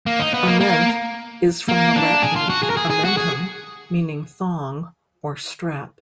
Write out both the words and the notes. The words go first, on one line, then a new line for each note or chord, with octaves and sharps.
"Ament" is from the Latin "amentum", meaning "thong" or "strap".
A#3
D#4
B3
A#3
A#3
A#3
D4
G#4
F4
F#4
G#4
A#4
G#4
G#4
F#4
G#4